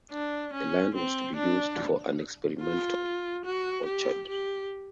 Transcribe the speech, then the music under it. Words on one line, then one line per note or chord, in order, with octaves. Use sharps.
The land was to be used for an experimental orchard.
D4
C#4
C4
D4
F4
F#4
G4
G4